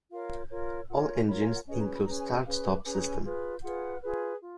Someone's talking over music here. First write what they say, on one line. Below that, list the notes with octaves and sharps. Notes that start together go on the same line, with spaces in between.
All engines include start-stop system.
F4 A#4 C#5 F5
F4 A#4 C#5
F4 A#4 C#5 F#5
G#5
G#5
F4 A#4 C#5 B5
G#5
F#5
C#4 G#4 B4 D#5
A#5
B5
C#4 G#4 B4 A#5
G#5
F#5
C#4 G#4 B4 F5
G#5
C#4 G#4 B4 G#5
A#5
G#5
F4 G#4 B4
F4 G#4 B4 F#5
F4 G#4 B4
F4